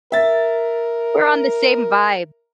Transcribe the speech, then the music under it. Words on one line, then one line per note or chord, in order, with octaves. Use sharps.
We're on the same vibe.
A#4 E5 A6